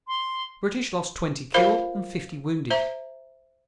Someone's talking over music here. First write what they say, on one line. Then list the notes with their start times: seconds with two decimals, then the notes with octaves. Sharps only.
The British lost twenty killed and fifty wounded.
0.08 C6
1.54 F4 A#4 C5 F5 B5
2.70 C5 E5 A#5